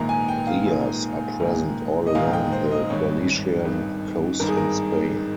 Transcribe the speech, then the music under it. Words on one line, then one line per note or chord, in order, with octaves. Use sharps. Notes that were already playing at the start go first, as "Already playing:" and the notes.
Rias are present all along the Galician coast in Spain.
Already playing: A#1 G#2 D#3 A#3 A#5
G#5
G5
F5
A#1 G#2 D#3 A#3
A#1 G#2 D#3 A#3
D#5
A#1 G#2 D#3 A#3 F5
G5
C5
D#5
G#1 G2 D#3 C#5
G#1 G2 D#3
G#1 G2 D#3 A#4
G#4
A#4
D#3